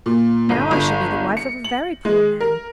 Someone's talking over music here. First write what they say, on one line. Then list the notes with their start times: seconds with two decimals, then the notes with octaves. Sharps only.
Now I shall be the wife of a very poor man.
0.06 A#2
0.49 G1
0.71 G1
1.37 C#7
1.64 F#7
2.05 G#3
2.40 A#4